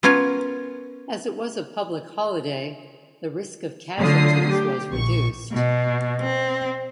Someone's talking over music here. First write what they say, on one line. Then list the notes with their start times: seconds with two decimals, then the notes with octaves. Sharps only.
As it was a public holiday, the risk of casualties was reduced.
0.03 B3 C#4 F4 A#4 C#5
4.00 D3 F#3 A3 F4 D#6 C7
4.49 G4
4.91 A#1 C#6
5.52 B2
6.20 C4